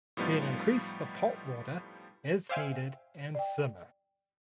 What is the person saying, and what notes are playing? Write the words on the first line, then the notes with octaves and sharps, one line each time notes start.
Then increase the pot water as needed and simmer.
A2 F3 G3 B3 D#4 F4
C5 D5 E5 F5 G5 G#5
D5 G5